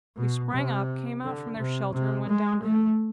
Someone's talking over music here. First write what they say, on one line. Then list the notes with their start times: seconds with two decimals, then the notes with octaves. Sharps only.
They sprang up, came out from their shelter, and went down to him.
0.16 B2
0.52 C3
1.22 D3
1.57 C3
1.93 C3
2.28 G#3
2.63 A3